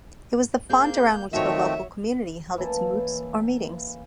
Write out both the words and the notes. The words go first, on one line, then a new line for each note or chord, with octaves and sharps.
It was the font around which the local community held its moots or meetings.
A#3 C4 G#4 G6
D#3 F3 A3 C4 F#4 C#5 E5
F#2 E3 A#3 A5